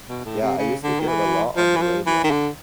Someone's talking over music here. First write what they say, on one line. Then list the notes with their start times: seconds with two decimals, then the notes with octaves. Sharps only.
Yeah, I used to hear it a lot on the radio,
0.09 B2
0.25 A2
0.42 C3
0.58 C#3
0.83 D3
1.01 D#3
1.07 E3
1.57 F3
1.76 E3
1.82 F3
2.07 E3
2.24 D#3
2.31 D3